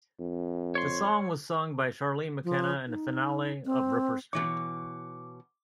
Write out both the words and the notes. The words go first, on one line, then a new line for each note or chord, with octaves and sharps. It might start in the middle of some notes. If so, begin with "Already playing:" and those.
The song was sung by Charlene McKenna in the finale of "Ripper Street".
F2
C#5 C6
F3
D#4
C4
B2 E3 C#5 D6